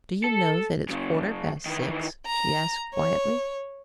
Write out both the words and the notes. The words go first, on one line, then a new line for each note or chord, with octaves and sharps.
"Do you know that it's quarter-past six?" she asked quietly.
A4
F#2 C#3
D#3 E3
A#5
C#5